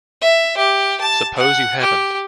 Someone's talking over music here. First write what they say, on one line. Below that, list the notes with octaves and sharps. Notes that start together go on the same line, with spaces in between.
Suppose you haven't?
E5
G4
A5
F#5
G4